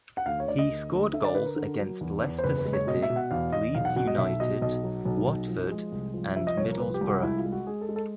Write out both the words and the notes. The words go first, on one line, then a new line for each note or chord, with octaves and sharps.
He scored goals against Leicester City, Leeds United, Watford and Middlesbrough.
F#5
D2 F5
C#5
D2 D5
D#5
D2
D2
D3 E5
D5
D3 B4
A#4
D3
F#3
E2
E2
C5
F#1 B4
B4
G#3
C#5
B2 D#5
E5
B2
F#5
E2 F5
E2 D#5
B1 F5
F#5
B2 F#5
D#5
B1 E5
B2 D#5
B1 D#5
F#3
B1
B1
F3
G#3
C2
F3
F3 E5
D#5
C2 C#5
A#4
F3 B4
G4
C2
F#4
G#3 E4
F4
G#3
F#4
G#3 G#4
A4
G#3
A4